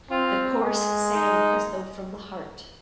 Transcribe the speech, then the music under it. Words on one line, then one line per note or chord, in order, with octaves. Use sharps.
The chorus sang as though from the heart.
C4 F4
G#3
D#4